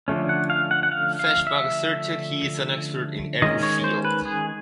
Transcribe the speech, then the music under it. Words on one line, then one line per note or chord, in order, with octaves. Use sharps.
Feshbach asserted, He is an expert in every field.
D3 F3 A3 C#4
F#5
F5
F#5
F#5
F5
F5
E5
D#3 G#3 C#4 D#5
C#5
C5
B4
G#4